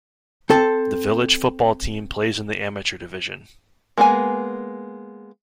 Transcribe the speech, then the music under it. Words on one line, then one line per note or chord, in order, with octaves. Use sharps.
The village football team plays in the amateur division.
C4 A4 A5
G#3 A#3 B3 G#4 G#5